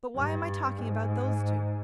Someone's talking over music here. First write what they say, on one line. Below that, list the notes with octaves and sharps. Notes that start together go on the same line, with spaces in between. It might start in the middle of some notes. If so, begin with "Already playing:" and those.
But why am I talking about those two?
G2
G#2